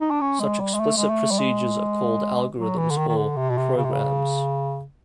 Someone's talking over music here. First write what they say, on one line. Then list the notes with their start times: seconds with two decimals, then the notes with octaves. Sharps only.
Such explicit procedures are called algorithms or "programs".
0.01 D#4
0.11 D4
0.21 C#4
0.40 G#3
0.60 G3
0.74 G#3
0.80 A3
0.97 G#3
1.10 A3
1.31 G3
1.39 G#3
2.58 F#3
2.77 E3
2.91 D3
2.98 D#3
3.08 D#3
3.17 D3
3.37 C3
3.49 B2
3.57 C3
3.77 C#3
3.84 C3
3.92 C#3